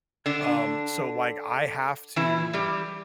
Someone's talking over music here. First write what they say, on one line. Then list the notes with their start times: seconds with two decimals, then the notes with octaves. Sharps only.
Um, so, like, I have to
0.26 D3 D4
2.16 E3 E4
2.53 G3 G4